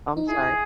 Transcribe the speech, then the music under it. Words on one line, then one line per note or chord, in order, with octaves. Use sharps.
Oh, I'm sorry.
D#4
E4 G#4